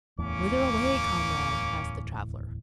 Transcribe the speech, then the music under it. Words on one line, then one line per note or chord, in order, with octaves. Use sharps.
"Whither away, comrade," asked the traveller.
D1 E2 A2 A#3 C#4 D6